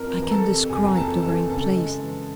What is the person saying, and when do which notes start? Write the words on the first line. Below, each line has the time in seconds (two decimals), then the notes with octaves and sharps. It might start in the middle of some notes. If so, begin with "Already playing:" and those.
I can describe the very place.
Already playing: F2 A#4 A#5
0.17 E3
0.23 A#5
0.31 A4 A5
0.44 C3
0.70 F#1 G#4 G#5
0.86 A#5
0.96 F2 A4 A5
1.23 E3 A4 A5
1.50 C#3 A4 A5
1.76 G#3
2.02 E3